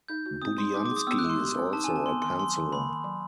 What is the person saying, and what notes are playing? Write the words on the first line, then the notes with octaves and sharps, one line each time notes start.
Budiansky is also a penciller.
D#4 G6
F#4
C4 D#6
G3 C6
D#4 D6
D6
G#4
D#6
B3 E6
F#6
G#3
C6
G4
C4
D#4 A5
G#5
C4
A5
B3 C6
D#3 C6
F#3 C6
D#3
A#3 B5
D#3
F#3